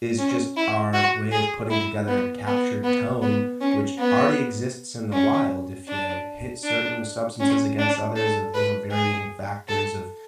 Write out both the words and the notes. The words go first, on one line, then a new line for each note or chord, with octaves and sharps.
is just our way of putting together a captured tone, which already exists in the wild if you hit certain substances against others with the variating factors of
C#4
E4
F#4
G#4
E4
B3
B3
B3
B3
C#4
B3
C#4
D4
D4
C#4
D4
A4
B4
G#4
A4